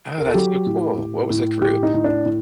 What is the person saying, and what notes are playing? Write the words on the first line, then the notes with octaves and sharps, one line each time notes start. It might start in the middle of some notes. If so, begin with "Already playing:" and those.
Oh, that's so cool. What was the group?
A#4
A4
F#3 G4
A2
A2
A2
A2 G4
D#4
A2
D4
A2